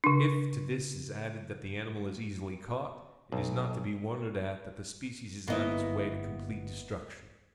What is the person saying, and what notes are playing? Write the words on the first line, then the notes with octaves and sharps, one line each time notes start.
If to this is added that the animal is easily caught, it is not to be wondered at that the species is on its way to complete destruction.
C#3 D4
B1
G1 A#3 B3 E4 D#5